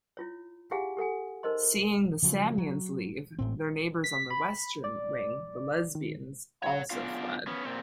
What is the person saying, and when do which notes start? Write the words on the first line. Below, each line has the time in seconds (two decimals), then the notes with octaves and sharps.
Seeing the Samians leave, their neighbours on the western wing, the Lesbians, also fled.
0.17 E4 F4 C#5
0.71 E4 G4 G#4 F5 F#5 G#5
0.97 G4 A4 F#5 G#5
1.43 D#4 A#4 C5 D#5 C6
2.23 C#3 F3 F#3
2.58 F#3
3.39 A1 A2 C4
4.04 B6
4.31 B5
4.84 D5
5.95 D#3
6.63 C#5 F#5
6.90 F#2 C#3 B3 D4 F4 F5
7.47 B3 C#4
7.65 A#2 C4